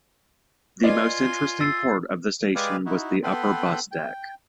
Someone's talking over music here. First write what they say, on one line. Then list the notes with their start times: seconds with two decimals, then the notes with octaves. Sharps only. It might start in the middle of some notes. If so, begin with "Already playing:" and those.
The most interesting part of the station was the upper bus deck.
0.83 F4 B4 D5 D#5 G#5
1.61 E6 A6 C7
2.55 G#3 G4 B4 D5 F5 G#5
2.86 D#4 E4 F#4
3.23 B3 A4 B4 G5 B5 C6
3.91 G5